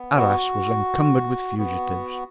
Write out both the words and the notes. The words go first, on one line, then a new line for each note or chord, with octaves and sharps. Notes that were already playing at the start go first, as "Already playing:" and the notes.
Arras was encumbered with fugitives.
Already playing: B3
F#4
B3 F#4